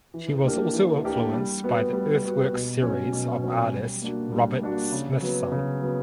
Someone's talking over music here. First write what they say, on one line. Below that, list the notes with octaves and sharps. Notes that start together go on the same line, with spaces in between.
She was also influenced by the earthworks series of artist Robert Smithson.
E3
A#3 D4 G4 A#4
E3
A#3 D4 G4 A#4
G3
B3 F#4
G3
B3 F#4
B2
F#3 C#4
B2
F#3 C#4
G3
A#3 D4 F#4
G3
A#3 D4 F#4
C#3
F#3 B3
C#3
F#3 B3